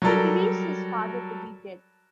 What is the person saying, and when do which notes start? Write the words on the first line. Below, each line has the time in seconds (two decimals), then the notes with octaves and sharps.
He believes his father to be dead.
0.02 F#3 G3 A4 A#4